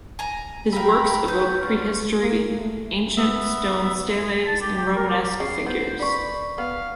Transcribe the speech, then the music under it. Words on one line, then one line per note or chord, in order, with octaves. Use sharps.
His works evoke prehistory, ancient stone steles and romanesque figures.
G#5 A#5
E5 F5 G5 A#5 B5
F#3 B3 B4 G5
F#3 C#4 F4 D5
A#3
A3
B3 E5
A5
G4
G5
A#4
G4
C#3 C6
B3 C5
D5 B5 C#6
B3 F5